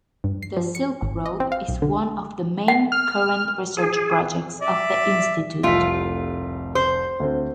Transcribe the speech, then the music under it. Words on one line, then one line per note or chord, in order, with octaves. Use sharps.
The Silk Road is one of the main current research projects of the institute.
G2
C7
F3
C#7
G#1
D#5
C4
F5
B1
D3
F#5
F6
G#4
D5 E5
F1 C2 A3 F4 B6
C5
D2 C4